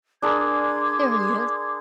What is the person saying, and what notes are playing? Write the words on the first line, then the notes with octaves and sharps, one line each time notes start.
There really is,
D4 G#4 A#4 C6 D6 G#6